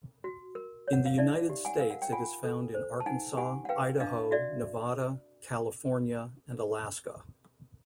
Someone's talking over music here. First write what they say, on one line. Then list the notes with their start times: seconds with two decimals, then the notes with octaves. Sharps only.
In the United States it is found in Arkansas, Idaho, Nevada, California, and Alaska.
0.24 F#4
0.55 A#4
0.88 C#5
0.93 F#5
1.06 F5
1.18 D#4 D5 E5
1.50 G4
1.65 F#5 G#5
1.79 A#4 F5
1.91 F#5
2.02 G5
2.12 F4 F#5 G#5
2.44 A4
2.74 C5
3.00 A5
3.06 D#4 F#5 G#5
3.37 G4 F#5 G#5
3.65 F#5
3.69 B4 F5 G5
4.00 D4 D#5 F5
4.31 F#4 D5 E5